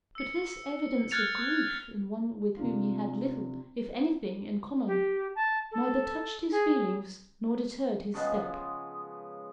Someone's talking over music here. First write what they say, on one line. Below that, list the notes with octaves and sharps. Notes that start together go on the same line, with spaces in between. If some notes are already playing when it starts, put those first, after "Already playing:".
But this evidence of grief in one with whom he had little, if anything, in common, neither touched his feelings nor deterred his step.
E6 C#7
F6 F#6 G#6 A6 C#7 F7
C3 D4 F4
G4
A5
A4
G#4
C#3 F3 G#3 B3